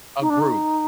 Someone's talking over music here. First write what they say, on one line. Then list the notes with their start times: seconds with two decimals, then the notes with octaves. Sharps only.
A group,
0.21 D#4
0.30 D4
0.40 D#4